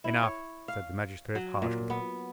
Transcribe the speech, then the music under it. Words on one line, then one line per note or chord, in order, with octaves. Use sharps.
"Enough," said the magistrate, harshly.
E4
C#5
F5
F#3
A#2
B3